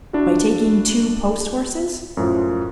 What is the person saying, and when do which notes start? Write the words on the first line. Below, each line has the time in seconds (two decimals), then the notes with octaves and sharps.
"By taking two post-horses?"
0.13 D4 E4 F#4
2.17 F#2 A2 F3